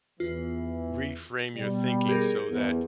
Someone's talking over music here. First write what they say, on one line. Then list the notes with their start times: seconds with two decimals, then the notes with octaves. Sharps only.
reframe your thinking so that
0.20 E2 E3 F4
1.56 B2 G3
2.09 G4 G#4 A#4
2.50 E2